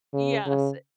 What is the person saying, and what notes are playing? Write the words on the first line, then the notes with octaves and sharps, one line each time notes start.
Yes, uh
C#3
C#3